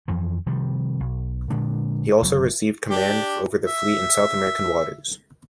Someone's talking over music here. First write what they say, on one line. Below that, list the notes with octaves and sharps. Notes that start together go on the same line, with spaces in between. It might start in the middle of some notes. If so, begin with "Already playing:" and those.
He also received command over the fleet in South American waters.
F2 E3 F3
C3 D#3 F3 G3
B1
A#2 D3 G#3 D4
F#1 F#3
D4 G4
E5